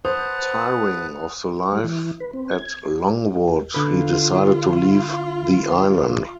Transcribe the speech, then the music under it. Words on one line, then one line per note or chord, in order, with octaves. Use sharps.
Tiring of the life at Longwood, he decided to leave the island.
B4 C5 F#5 A5 D#6
G3
E3
B4
C4
G#6
D3 F4 B4